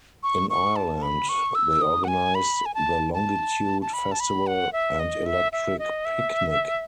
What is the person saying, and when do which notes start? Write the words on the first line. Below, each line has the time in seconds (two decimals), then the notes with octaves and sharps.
In Ireland they organize the Longitude Festival and Electric Picnic.
0.23 C#6
0.50 C#6
0.76 A5
1.02 B5
1.29 C#6
1.55 E6
1.82 D#6
2.04 F#5
2.08 G#5
2.35 B5
2.66 G#5
2.74 A5
3.14 A5
3.82 A5
3.93 B5
4.12 A5
4.20 B5
4.47 F#5
4.73 E5
4.99 D#5
5.26 E5
5.52 E5
5.79 D#5
6.05 E5